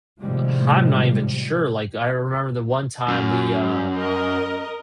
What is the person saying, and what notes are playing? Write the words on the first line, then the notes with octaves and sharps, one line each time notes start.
H I'm not even sure, like, I remember the one time we, uh
A2 C3 D#3 F3 G3 G#3
F#2
A#4 D#5